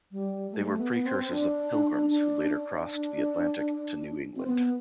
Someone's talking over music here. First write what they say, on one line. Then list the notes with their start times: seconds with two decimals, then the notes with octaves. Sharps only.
They were precursors of the Pilgrims who later crossed the Atlantic to New England.
0.12 G3
0.52 A3
0.59 G3
0.65 A3
0.78 B3
0.92 B3
1.05 C4
1.19 C4
1.31 D4
2.10 D4
2.49 D4
4.36 C4
4.46 B3